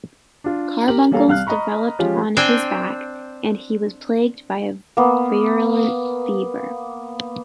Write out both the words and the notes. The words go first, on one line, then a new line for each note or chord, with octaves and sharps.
Carbuncles developed on his back and he was plagued by a virulent fever.
D4 F4
G4 A#4 F#7
G3 A#3 C#4 A4 F5 A#5
C2 G3 F5 F6 F#6
D#5 A#5 B5 C#6
F3 G#3 C#4 F4 G4
C4 D4 G5 G#5
A#3 B3